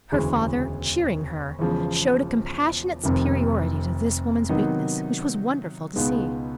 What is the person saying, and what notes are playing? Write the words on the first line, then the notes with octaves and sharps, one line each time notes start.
Her father, cheering her, showed a compassionate superiority to this woman's weakness, which was wonderful to see.
E1 D2 C#3 E3 G#3
E1 E2 C#3 F3
F1 F2 C3 D#3
C3 D#3 F#3 B3 D#4
C#2 B2 G#3 B3 D#4